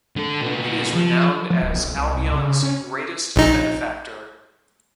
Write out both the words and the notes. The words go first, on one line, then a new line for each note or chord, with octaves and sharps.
He is renowned as "Albion's Greatest Benefactor".
D3 A4
A#2 B3
F3
F3
D1
B1
C2
C2
C#3
C#3
C#4
A#1 D#4